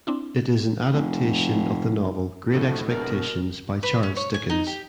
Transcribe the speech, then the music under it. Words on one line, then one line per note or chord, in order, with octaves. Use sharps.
It is an adaptation of the novel "Great Expectations" by Charles Dickens.
C4 D4 E4
F1
A#1 A2 F#4 A4 D#5
E1 B2 A#4 D5
B4
C#4
C#5
G#5
D#4
G4